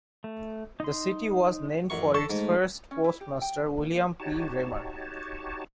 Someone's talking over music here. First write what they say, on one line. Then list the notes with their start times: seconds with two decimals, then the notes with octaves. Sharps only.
The city was named for its first postmaster, William P. Remer.
0.24 A3
0.80 D#4 C6
1.90 A1 F#2 C#6
2.14 A4 C#6
2.30 G#2 A3
2.91 C#4
3.04 E4
3.21 G4
3.42 G5
3.78 A#3
4.20 D#4 F#4 G4 C#5 A5